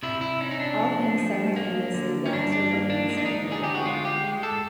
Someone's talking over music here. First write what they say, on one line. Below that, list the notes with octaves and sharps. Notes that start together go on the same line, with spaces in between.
All things simultaneously wax or wane in sympathy with it.
C3 E4
E4
C#4 D#4
D#4
D4
F3
F3
A#3
D3
C#4
G2 D4
D4
A#3
D4
G#3 D#4
D4
D#4
D3 G#4
G4
F#4
G#3 F4
G4
G#3
A4